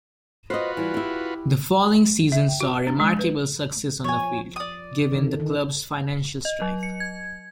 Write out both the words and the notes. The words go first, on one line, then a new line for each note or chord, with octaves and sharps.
The following season saw remarkable success on the field, given the club's financial strife.
F4 F#4 B4 C5 D#5
E3 G3
E4 G4
E5
G5
F#4
D4
G#3
B4
F3 C#5 G#5
D5 D#6
D3 D#3
D#3
D#5
F#3
C#7
G#6